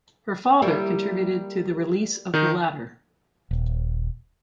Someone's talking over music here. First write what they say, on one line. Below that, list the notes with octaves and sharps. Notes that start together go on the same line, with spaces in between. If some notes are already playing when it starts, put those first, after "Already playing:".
Her father contributed to the release of the latter.
G3 A#3 E4
D#3 D#4
D#1